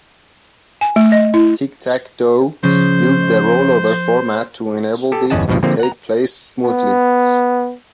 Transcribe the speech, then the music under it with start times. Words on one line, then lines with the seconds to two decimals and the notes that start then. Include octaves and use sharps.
"Tic-Tac-Dough" used a rollover format to enable this to take place smoothly.
0.81 G#5
0.96 A3
1.12 D#5
1.34 E4
2.64 C#3 F3 C5
5.12 G4 A4
5.30 G1 E2 C#4 D#5 F#5 A5
5.48 C#2 G2 B2 F3
5.63 D3 F3 A#3 C4
5.79 F#5 A#5
6.63 B3